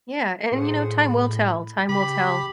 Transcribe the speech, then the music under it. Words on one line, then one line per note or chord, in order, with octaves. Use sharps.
Yeah. And, you know, time will tell. Time will tell
A2 G#4 C5 F#5
B5
C#3 G4 B5